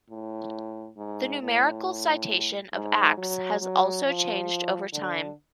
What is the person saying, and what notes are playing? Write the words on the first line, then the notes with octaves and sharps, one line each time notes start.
The numerical citation of Acts has also changed over time.
A2
G#2
A2
G#2
F#3
F#3
F3
D3